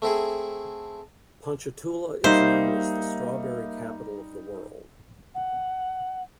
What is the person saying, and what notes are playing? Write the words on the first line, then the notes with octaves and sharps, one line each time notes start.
Ponchatoula is known as the "Strawberry Capital of the World".
A3 C4 E4 G#4
G3 A#3 D#4 C5 E5
F#5